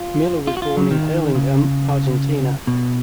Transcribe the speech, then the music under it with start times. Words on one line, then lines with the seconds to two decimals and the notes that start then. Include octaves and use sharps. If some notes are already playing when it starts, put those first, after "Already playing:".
Miller was born in Hurlingham, Argentina.
Already playing: F4
0.47 F4
0.57 F#4
0.62 F4
0.77 F#3
0.91 D#3
1.35 C#3
2.67 B2